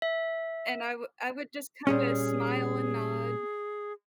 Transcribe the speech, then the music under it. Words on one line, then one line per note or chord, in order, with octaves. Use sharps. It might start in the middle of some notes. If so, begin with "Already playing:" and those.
And I would I would just kinda smile and nod.
E5
A#2 G3 C#4 G#4